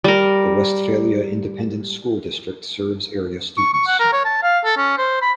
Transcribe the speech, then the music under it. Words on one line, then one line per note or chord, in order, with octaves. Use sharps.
The Westphalia Independent School District serves area students.
G3 A#4
C#6
C#6
F#5
A#4
C#5
A5
F5
A4
C#4
C5
B5